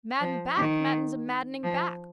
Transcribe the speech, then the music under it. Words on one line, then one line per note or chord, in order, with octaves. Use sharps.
Madden back Madden's a maddening back.
F3
D#3
F3